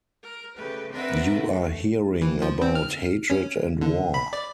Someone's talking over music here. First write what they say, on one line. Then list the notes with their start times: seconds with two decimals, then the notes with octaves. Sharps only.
You are hearing about hatred and war.
0.22 A#4
0.55 C#3 A3 G4 B4
0.90 C4 D4 A#4 B4 E5 F#5
1.33 A3
2.21 E3
2.42 F3
2.62 C4
2.75 F6
3.30 C#4
3.81 D3
4.14 B5
4.33 D5